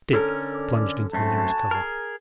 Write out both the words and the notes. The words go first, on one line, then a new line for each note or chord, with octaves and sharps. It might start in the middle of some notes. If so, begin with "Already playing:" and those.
Dick plunged into the nearest cover.
D3 C#4 A4 A#4
D5
F#2 A3 C4 F#4 G#5 A5
G#4 A#4